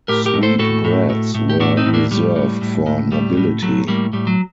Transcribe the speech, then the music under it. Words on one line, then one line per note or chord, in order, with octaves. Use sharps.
Sweet breads were reserved for nobility.
A2 G4 A#4
G4 A#4
A2
A4 C5
A2 F#4 A4
A2
A2
A2
G4
A2 D4 F#4
C4 D#4
A2
A#3 D4
A2 G3
A2
A2
A2
A2 G3
A2
A2 F#3 A3
A2 G3 A#3
A2 G3
F#3